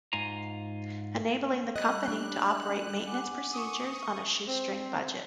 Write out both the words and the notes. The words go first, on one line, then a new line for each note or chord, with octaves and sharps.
Enabling the company to operate maintenance procedures on a 'shoe string' budget.
G#2 F4 G#5 A#5
G3 D#5 F#6
D4
C#4
F#5 G#5 D6
C#6 D#6
C4